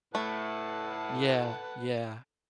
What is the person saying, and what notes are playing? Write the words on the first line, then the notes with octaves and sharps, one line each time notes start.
Yeah, yeah.
A2 A3 B4 F#5 A5